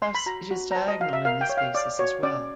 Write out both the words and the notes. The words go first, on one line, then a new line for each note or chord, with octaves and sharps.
Thus it is diagonal in this basis as well.
C6
B5
F#4 A#5
F#4
A#5
C5 A5
D#5
F#4 F5
E5
A#4 F5
G5
C#5
F5
C#5 D5
F#4 C#5
C#4 D5